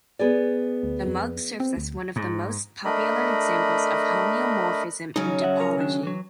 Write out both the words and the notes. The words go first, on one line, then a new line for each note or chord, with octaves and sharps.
The mug serves as one of the most popular examples of homeomorphism in topology.
B3 G#4 D5
D2
F2
C4
D2
G#2
A3 D4 A#4 D#5 B5
C#3 F#3 C#4 D#4
E5 F#5
A#4 C#5 A#5
D#3 D4
E3 F#3